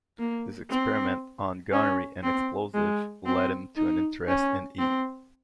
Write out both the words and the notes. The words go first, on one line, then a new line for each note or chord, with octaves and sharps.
His experiments on gunnery and explosives led to an interest in heat.
A#3
C4
C#4
C4
G#3
C4
D#4
C#4
C4